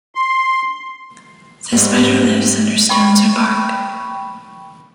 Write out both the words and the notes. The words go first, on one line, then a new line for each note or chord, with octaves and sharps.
The spider lives under stones or bark.
C6
G#2 G3
G5 B5 C#6